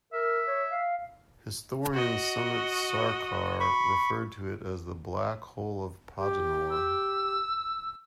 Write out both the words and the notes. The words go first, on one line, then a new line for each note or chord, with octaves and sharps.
Historian Sumit Sarkar referred to it as the "Black Hole of Podanur".
A#4 E5
C#5
F5
F#4 D#5
B5 C#6
G4
E6